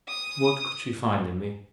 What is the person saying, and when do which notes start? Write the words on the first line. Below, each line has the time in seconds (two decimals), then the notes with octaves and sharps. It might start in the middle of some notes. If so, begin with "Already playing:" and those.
What could she find in me?
0.09 D#6